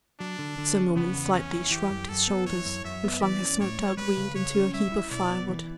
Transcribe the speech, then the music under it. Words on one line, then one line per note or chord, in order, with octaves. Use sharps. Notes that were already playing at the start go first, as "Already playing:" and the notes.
Sir Norman slightly shrugged his shoulders, and flung his smoked-out weed into a heap of fire-wood.
F#3 D4
D3
D3
C#4
C#3 B3
E2
E2 C#4
E3
E3 G4
F#2
F#2 A4
B3
E3 C#5
F#2
F#2 E5
B3
E3 D5
C#4
A2 C#5
G3
G3 B4
C#3
C#3 C#5
C#4
G3 E5
E4
B2 D5
B3
E3